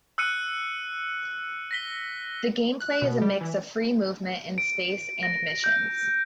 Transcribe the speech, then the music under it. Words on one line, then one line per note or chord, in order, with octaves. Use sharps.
The gameplay is a mix of free movement in space and missions.
E6 F#6 C#7 D#7
A#6 B6 G7
F#6
B2
G3
E3
D7
A#6
G6